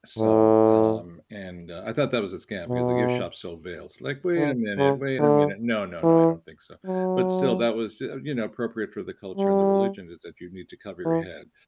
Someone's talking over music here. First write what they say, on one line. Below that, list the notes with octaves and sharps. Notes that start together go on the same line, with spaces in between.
So, um, and, uh, I thought that was a scam because the gift shop sold veils, like, "Wait a minute, wait a minute, no, no, no, I don't think so," but still, that was, eh uh, you know, appropriate for the culture and the religion is that you need to cover your head.
A2
B2
D3
C#3
D3
E3
F#3
G3
E3